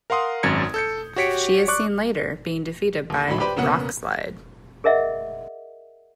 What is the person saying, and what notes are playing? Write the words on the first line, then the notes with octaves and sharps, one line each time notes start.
She is seen later being defeated by Rockslide.
A#4 F5 F#5 C6 D#6
G#1 F#2 G#6 C#7
A4 G6 C#7
F#4 G4 C#5 B6 C#7 D7
D5 C#6 D6 F#6
D#2
A#1 A2 D3 F#3 B5
G4 B4 C5 D5 G5 B5
E1 C#3 A#3 B3 F#5
G#4 A#4 D#5 E5 F#5